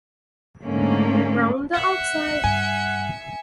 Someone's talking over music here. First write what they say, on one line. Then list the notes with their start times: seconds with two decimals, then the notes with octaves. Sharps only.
Round the Outside!
0.63 G#2 D3 A3 A#3 C#4
1.73 E5 F#5 C#7
2.44 G2 G#5